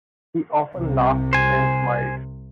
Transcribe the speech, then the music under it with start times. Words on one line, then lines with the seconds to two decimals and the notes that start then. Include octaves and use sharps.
He often laughed and smiled.
0.75 C2 C3
1.33 C5 G#5